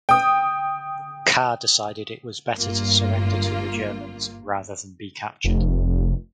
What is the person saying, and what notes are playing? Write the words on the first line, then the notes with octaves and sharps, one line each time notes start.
Carr decided it was better to surrender to the Germans rather than be captured.
G5 D#6
G1 G2 A#3 F4
F1